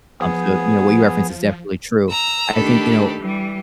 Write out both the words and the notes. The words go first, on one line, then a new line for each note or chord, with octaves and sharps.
Um, so, you know, what you referenced is definitely true. I think, you know,
F3 B3 G#4
A#5 E6
D#3 A3 D4 G4 A4 B5
E3 G3